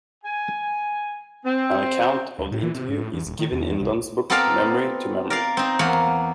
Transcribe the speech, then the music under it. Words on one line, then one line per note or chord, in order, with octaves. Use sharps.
An account of the interview is given in Lunn's book "Memory to Memory".
G#5
C4
D2
A2
E3
C3
G#2
A2
E2
D#1
D#3
E2
C2
B3 C4 A4 A#4 D5 F5
A#4 D5 F5
C4 D#4
E2 A#3 C#5 F#5